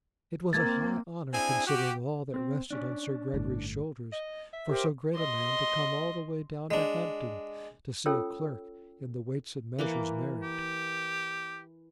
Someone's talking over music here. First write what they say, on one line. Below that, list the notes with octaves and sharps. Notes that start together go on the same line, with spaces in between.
It was a high honour, considering all that rested on Sir Gregory's shoulders, for so great a man to come all the way down to Hampton to see a clerk in the Weights and Measures married.
A#3 C4 G#6 A6
C4 D4 E4 G#4 G#5
F#4 G4
C4
C#4 D4
G1 A2
D#5
E5
G4 A#4 C5
D#5 C6
G#3 D4
C#4 F4 A4 C#5 G5 E6
E3 A#3 D6
G4